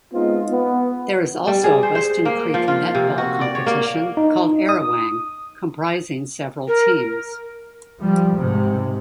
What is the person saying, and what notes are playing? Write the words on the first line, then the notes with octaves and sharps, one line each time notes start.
There is also a Weston Creek netball competition, called Arawang, comprising several teams.
G#3 B3 C4 D#4 F4
B3
G3
G#4
C5
C5
A#3
F3
F4
C3
F#4
D5
C#5
A#3
D#4
D#6
A#4
F3 G3
G#2 C3